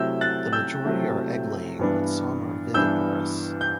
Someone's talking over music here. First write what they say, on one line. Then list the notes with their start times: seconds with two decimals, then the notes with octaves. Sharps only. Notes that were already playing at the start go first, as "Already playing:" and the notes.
The majority are egg-laying, but some are viviparous.
Already playing: C3 F#3 A3 E4 E6 G6
0.21 F#6 A6
0.53 E6 G6
0.84 C3 F#3 A3 E4
1.79 G2 E3 B3 D4
2.74 G2 E3 B3 D4 E6 G6
3.61 G6